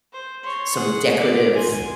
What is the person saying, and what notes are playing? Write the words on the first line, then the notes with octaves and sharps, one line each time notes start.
some decorative
C5
C#5 C6
G#4 F#5
B3 D5
G#5 C6